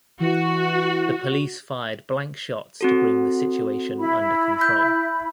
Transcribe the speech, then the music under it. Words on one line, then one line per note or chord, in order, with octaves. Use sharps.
The police fired blank shots to bring the situation under control.
E3 F#4
C4 F#4 A4
E4 B5
G6